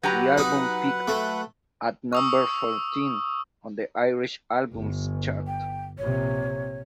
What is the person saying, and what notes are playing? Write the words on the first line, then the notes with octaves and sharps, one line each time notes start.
The album peaked at number fourteen on the Irish Albums Chart.
F#3 G4 B4 F#5 A#5
D#4
A3
C#6 D#6 E6
G1
G5
A#1 C3 C#5